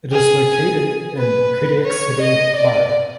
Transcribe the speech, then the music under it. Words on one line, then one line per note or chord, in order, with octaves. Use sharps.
It is located in Kodiak City Borough.
G#4
B4
C#5
D#5
D5